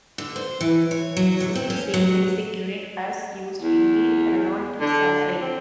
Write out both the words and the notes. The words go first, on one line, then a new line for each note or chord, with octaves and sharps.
This is the same basic unit as used in the Renault Safrane.
D3
C5
E3
C#5
F#3
D3
C4
C#4
F#3
E2
D3
C4